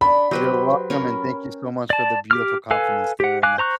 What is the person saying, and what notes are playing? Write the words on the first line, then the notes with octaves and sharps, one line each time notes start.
You're welcome and thank you so much for the beautiful compliments there, and, uh,
D4 B5
F#3 G4 B4 C5
C#4 A#4
D5 A5
G4 D6 F6
A4 B4 F5 G#5
G4 F#5
F5 G#5 D6 F#6
C5 A#5 C#6 F#6